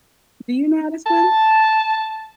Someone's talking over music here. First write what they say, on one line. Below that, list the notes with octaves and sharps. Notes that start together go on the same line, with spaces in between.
Do you know how to swim?
A5